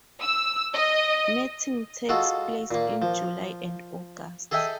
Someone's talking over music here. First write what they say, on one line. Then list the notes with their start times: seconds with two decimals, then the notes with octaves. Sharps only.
Mating takes place in July and August.
0.21 E6
0.74 D#5
2.09 G#3 F4 F#4 A4
2.71 A#2 A#3
3.02 F3
4.51 G#4 A4 D#5 E5 G5 G#5